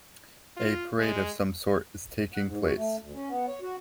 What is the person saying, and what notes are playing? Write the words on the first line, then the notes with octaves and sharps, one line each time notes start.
A parade of some sort is taking place.
F4
G#3
F#5
G#2
F#4
A3
D2
C#4
B3
C#5
F#4